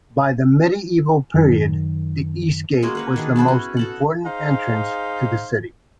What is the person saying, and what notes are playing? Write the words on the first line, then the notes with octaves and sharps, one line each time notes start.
By the medieval period the Eastgate was the most important entrance to the city.
F#2 D#3
G#3 A#3 C#4 F#4
A#3 B4 C#5
D#3 D4 G#4
B3 E4 F#4 C5
C#4
F#4 A4 F#5
D#4 G#4 C5 F5